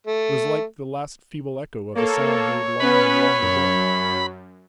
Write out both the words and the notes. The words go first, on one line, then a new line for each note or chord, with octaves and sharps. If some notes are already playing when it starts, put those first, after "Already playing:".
It was like the last feeble echo of a sound made long and long ago.
A3
A#3 A4 C#5
B3 C#4 B4 B5
F#2